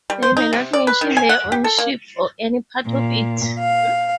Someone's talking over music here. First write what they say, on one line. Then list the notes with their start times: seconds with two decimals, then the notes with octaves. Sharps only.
They may not mention their own ship or any part of it.
0.10 G3
0.23 C5
0.37 D#4
0.53 C3
0.73 D5
0.87 B4
1.01 D#3
1.17 G#5
1.29 F#5
1.52 G4
1.64 A4
1.78 A#3
2.87 A#2
3.59 F5